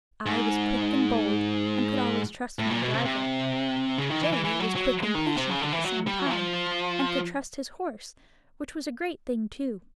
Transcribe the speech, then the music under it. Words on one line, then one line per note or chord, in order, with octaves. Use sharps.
I was quick and bold and could always trust my driver; Jerry was quick and patient at the same time, and could trust his horse, which was a great thing too.
G#2
A2
A#2
B2
C3
C3
C#3
D#3
E3
E3
E3
F#3
F#3
G#3
D#3
D3
C3
C#3
D3
E3
F#3
G3
F#3
E3
F3